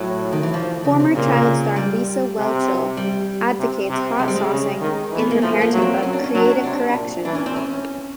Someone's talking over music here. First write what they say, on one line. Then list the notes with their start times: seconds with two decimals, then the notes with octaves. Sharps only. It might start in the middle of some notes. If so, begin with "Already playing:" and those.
Former child star Lisa Whelchel advocates hot saucing in her parenting book "Creative Correction".
Already playing: A2 F#3
0.33 D#3
0.43 E3
0.54 F3
0.85 C#3
1.00 C3
1.15 A#2 C#3
1.76 G3
2.37 C3
2.97 G3
3.59 C3
3.89 C3
4.19 C3 G#3
4.28 G3
4.36 G#3
4.50 C#3
4.80 D#3
5.11 E3
5.19 B3
5.31 A#3
5.41 F3 A3
5.61 A#3
5.72 F#3
5.78 C#4
5.82 C4
6.03 F#3 C#4
6.13 D4
6.24 C#4
6.33 F#3 D4
6.46 C#4
6.64 C3 D4
6.94 A#2
7.25 E3 D4
7.35 C#4
7.46 C4
7.56 C#4